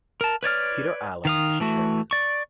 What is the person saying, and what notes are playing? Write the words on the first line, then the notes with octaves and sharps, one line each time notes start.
Peter Allen is chairman.
A#4 A5
B4 C#5 D5 F6
D#3 F5 D#6
E3 A3 F#4
D5 C#6